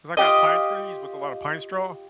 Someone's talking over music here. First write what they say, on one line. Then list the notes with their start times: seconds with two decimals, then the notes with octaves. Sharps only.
'cause I got pine trees with a lot of pine straw
0.17 F4 G4 D#5